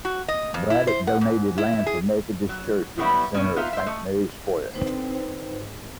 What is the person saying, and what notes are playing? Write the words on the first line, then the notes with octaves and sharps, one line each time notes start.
Braddock donated land for a Methodist church in the center of Saint Mary's square.
F#4
D#5
F2
E4
C5
F#5
G#2
E4
G#4
F#3
B2 F#3 G3 B3 E4
B2 C#4
B3 D#4 F4 E5 F5
C5 E5
A3 D#5
D3 C4 D#4 B4 C5
G#1